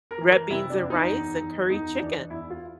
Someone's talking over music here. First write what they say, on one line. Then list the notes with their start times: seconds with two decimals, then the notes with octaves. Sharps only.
red beans and rice and curry chicken,
0.11 A#4
0.21 E3
0.31 A#4
0.50 C3 E4
0.70 D4
0.80 E2
0.90 D#4
1.10 E2
1.40 E2
1.70 E2 D#4
1.96 D#4
2.00 E3 D4
2.30 E2 E4
2.50 F4